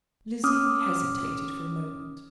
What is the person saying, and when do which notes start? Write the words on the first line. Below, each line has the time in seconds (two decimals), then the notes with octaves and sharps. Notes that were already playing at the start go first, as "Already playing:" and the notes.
Lizzie hesitated for a moment.
0.44 C#4 D6 D#6 F6